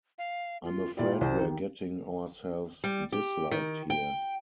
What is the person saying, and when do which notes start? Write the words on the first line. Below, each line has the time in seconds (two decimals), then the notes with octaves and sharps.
I'm afraid we're getting ourselves disliked here.
0.18 F5
0.64 F4
0.97 A#2 E4 G4 D5
1.21 C2 C5
1.39 D#3 G4
2.84 G3
3.12 G4
3.51 D#3
3.90 G5